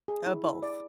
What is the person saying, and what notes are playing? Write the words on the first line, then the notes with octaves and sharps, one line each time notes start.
Uh, both.
G#4
E4
E4
D5